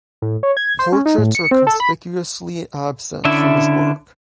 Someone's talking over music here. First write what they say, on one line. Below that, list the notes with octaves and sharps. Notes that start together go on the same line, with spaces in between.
Portraits are conspicuously absent from his work.
A2
C#5
G#6
C5
C#4
D#4
A2
C#7
C4
A4
B5
D3 C#4 D4 E4 E5